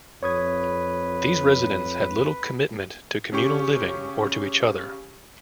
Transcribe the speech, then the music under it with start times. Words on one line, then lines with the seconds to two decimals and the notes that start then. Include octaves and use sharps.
These residents had little commitment to communal living or to each other.
0.23 F2 B4 C#5 D#6 G#6
3.32 C#3 C#4 G4 C#6